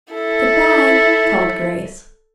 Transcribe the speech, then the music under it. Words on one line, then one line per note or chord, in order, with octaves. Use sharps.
"Good-bye," called Grace.
E4 A4